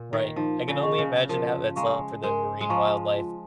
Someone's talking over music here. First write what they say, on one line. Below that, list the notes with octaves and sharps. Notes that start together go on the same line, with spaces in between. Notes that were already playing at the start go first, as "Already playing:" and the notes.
Right, I can only imagine how that's, uh, for the marine wildlife
Already playing: A#2
D#3
F3 D#4
C#3
G#4 D#5 C#6
C#3
F3 A#4
G#3 F5 A#5 C#6
G#3 A#4
G#3
F3 F5 A#5 C#6
F4